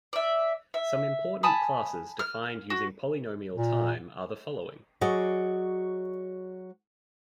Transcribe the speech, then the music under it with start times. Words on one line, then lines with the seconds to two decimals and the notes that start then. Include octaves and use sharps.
Some important classes defined using polynomial time are the following.
0.13 D5 E5
0.74 E5
1.43 G#5 A5 B5 D#6
2.19 F6
2.70 F#4
3.55 A#2
5.01 F#3 F#4 G#4 D5 D#5